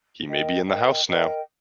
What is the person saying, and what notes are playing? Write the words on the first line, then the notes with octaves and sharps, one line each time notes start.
He may be in the house now!
A#4 D#5 G5
A#4 D#5 G5
A#4 D#5 G5